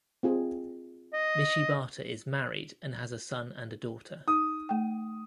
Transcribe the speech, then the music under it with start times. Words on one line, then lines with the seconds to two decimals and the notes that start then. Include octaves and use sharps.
Michibata is married and has a son and a daughter.
0.23 C4 F4 G#4
1.14 D#5
4.28 D#4 D#6
4.69 A3 G5